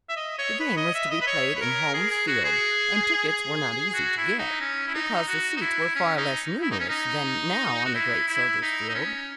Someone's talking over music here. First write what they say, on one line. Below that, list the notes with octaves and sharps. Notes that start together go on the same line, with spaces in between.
The game was to be played in Holmes' Field, and tickets were not easy to get, because the seats were far less numerous than now on the great Soldiers' Field.
E5
D#5
C#5
B4
D#5
E5
D#5
B4
C#5
B4
A#4
G#4
G#4
F#4
G#4
G#4
F#4
E4
D#4
C#4
E4
D#4
F#4
D#4
E4
C#4
D#4
E4
D#4
C#4
D#4
F#4
E4
E4
D#4
D#4
C#4